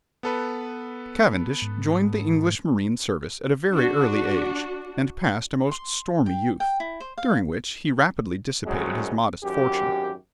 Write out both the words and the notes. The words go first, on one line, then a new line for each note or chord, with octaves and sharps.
Cavendish joined the English marine service at a very early age; and passed a most stormy youth, during which he rapidly dissipated his modest fortune.
B3 A4 B4
G#2
D4 F#4
C6
G5
G5
E4
C5
F5
C2 F#2 F#3 G#3
G#1 F#2 G4